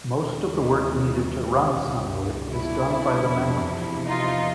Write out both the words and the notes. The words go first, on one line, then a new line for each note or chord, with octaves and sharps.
Most of the work needed to run Sunward is done by the members.
D#2 C#3 E3 G#3
C#2 B2 G3
D4 E4
E2 C3 F3
D#4 F4